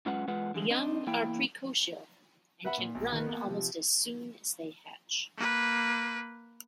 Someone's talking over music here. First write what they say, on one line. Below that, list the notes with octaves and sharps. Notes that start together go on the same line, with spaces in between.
The young are precocial, and can run almost as soon as they hatch.
F#2 G#3 C#4 F4 B4 F#5
E2 G#3 F4 B4 F#5
D3 E3 G#3
C4 D4 D#5
E2 A#3 E4 G5
B4 E5 F#5 B5
A#2
B1
D#3 A#4 B4
A#3 B3
C3 F3
A#3 B4